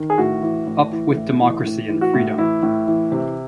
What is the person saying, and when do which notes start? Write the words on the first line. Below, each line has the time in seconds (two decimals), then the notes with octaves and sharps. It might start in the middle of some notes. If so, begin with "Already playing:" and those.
Up with democracy and freedom!
Already playing: D#3
0.10 G#4
0.18 A2 F#4
0.42 E3
0.67 A2
0.91 E3
1.16 A2
1.40 E3
1.65 A2
1.89 E3
2.01 F#4
2.14 A2
2.38 E3 E4
2.63 A2
2.87 E3
3.12 C3